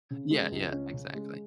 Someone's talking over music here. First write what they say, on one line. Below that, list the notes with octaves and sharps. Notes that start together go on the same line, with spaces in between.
Yeah, yeah, exactly.
C#3
G#3
C#2
C#4
C#3
G#3